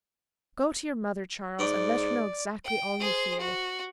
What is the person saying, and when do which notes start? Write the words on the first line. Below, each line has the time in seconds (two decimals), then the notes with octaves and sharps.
Go to your mother, Charles, and let her know exactly all you feel.
1.60 G#2 D5
2.64 G5
3.00 G#4 C5
3.40 F#4